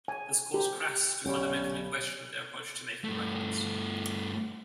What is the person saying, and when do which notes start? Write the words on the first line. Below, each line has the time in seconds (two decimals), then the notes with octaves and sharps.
This caused Crass to fundamentally question their approach to making records.
0.08 G#5
0.54 G4
1.25 B1 F#2 D3 C#4 G4 D5 B5
3.04 G2 A3